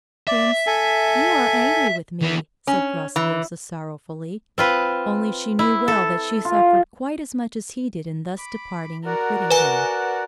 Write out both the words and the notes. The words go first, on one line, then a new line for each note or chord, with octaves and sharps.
"Prince, you are angry with me," said Graciosa sorrowfully; only she knew well that she suffered quite as much as he did in thus departing and quitting him.
D5 E5
A4 G#5
E3 B3
C#4
E3
C4 F4 B4
E4
A4
F4
B5 D6
F#4 A#4 D5 F#5
B4 G#5